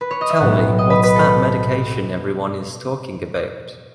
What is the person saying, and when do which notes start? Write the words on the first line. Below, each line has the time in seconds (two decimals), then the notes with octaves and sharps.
Tell me what’s that medication everyone is talking about.
0.01 B4
0.11 C#5
0.21 D#5
0.30 E5
0.40 B1 A2 F#3 B3 F#5
0.79 D#5
0.90 B4
1.03 B4
1.16 A4